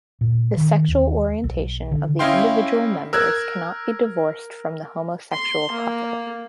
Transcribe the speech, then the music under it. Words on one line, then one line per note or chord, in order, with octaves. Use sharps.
The sexual orientation of the individual members cannot be divorced from the homosexual couple.
A#2
D#3
D#2
B1
D3
C#4 E4 D#5 F5 G5 C6
A#4 E6 F#6 G#6
C6
A#3